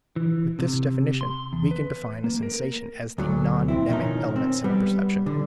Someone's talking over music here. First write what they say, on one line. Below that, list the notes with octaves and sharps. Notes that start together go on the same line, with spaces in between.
With this definition, we can define a sensation as the non-mnemic elements in a perception.
E3
C3
C6
E2
B4
A#3
A#4
D2 F#3
F2 C4 E4
B2 D#3 F3 C#4 D#4
C4
G3 B3
D3